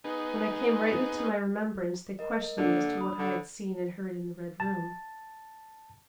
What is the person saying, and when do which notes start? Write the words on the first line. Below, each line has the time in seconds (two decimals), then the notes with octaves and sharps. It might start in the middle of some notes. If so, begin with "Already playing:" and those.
When I came rightly to my remembrance, they questioned me as to what I had seen and heard in the Red Room.
0.04 B3 D#4 G#4
2.19 A#4 D#5
2.58 D3 A#3 D4
2.98 B5 D#6
3.19 D3
4.60 A5